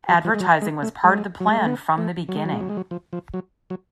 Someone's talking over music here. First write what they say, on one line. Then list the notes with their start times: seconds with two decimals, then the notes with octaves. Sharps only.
Advertising was part of the plan from the beginning.
0.09 F#3
0.25 F3
0.34 G#3
0.40 F#3
0.62 G#3
0.83 A3
1.04 G#3
1.40 F#3
1.49 G#3
1.58 A3
1.66 B3
1.98 A3
2.29 F#3
2.36 G#3
2.45 F#3
2.53 G#3
2.61 F#3
2.69 G#3
2.77 F#3
2.91 F3
3.13 F3
3.34 F#3
3.70 F#3